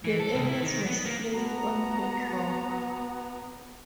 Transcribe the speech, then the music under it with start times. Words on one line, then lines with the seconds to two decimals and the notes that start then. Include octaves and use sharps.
The earliest was placed on bedrock.
0.05 E3
0.20 A4
0.35 C2
0.49 E4
0.61 D#3
0.87 B3
1.05 A#3
1.33 B3 F#4 A5 A#5